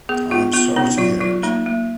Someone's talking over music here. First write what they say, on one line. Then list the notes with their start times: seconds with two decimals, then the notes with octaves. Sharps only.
I am sorry to hear it.
0.09 B3 G#4
0.31 B3 F4
0.53 B3 F4
0.76 B3 D#4
0.98 F#3 F4
1.21 F#3 F4
1.43 A#3 D#4
1.66 A#3